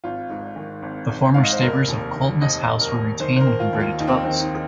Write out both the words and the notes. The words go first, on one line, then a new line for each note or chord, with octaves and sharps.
The former stables of Coltness House were retained and converted to boats.
G#1 F4
G#2
D#3
G#1
G#1
G#2 F5
D#5
C5
F1 A#4
D#2
D#3
F1 D#5
F1
A#4
D#2
D#3 C5
C5
A#4
D#3
F4
D#2
F4
D#2 D#4
C4
D#3 C4
D#4